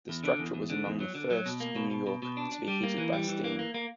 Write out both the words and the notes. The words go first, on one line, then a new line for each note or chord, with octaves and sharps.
The structure was among the first in New York to be heated by steam.
E2
D3
E2
E2
D3
E2
F#3
D3
F#3
B2
A#3
B2
B2
B2
B2
D4
D4
G3
A#3
E3
G3
E3
A#3
A#3
A#3